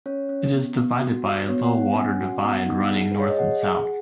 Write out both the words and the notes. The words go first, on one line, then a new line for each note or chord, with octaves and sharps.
It is divided by a low water divide running north and south.
C#4 C#5
C#4
B3
B3
F#4
F#4
B3 C#5
F#5
B3
F#5
C#4 G#5
F#4 F#5
B3 F#5
D#4
G#4
G#4 B4
C#5
D#5
G#4 F#5
G#4
G#4